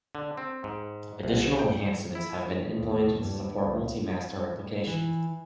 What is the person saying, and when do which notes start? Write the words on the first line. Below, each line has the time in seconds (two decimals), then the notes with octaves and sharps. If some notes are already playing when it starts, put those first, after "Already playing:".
Additional enhancements have been implemented to support multi-master replication.
0.15 D3
0.37 C4
0.64 G#2
1.23 C2
1.59 G5
2.15 E4
2.77 D#2
3.14 G2
3.63 C#2
4.87 E3